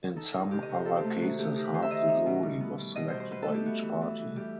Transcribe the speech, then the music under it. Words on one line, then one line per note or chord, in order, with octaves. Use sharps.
In some other cases half the jury was selected by each party.
D#4 A4
D#4
C3 G4
D#5
C3
C5
C4 A4
G4
A3
F#4
D#3 F#4
A3 G4
D#4 G4
B4
D#3 C5
E5
D#3 D#5
D#4
B2
G3
B3
B2
B2 D#5
C5
B2
C5
B2 B4
A4
A3
G4
B3 F#4
E3
E3
E3
G3 G4